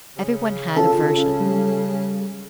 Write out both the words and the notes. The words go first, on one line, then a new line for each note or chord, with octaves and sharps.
Everyone had a version.
C#3
C#4 F4 A4
G3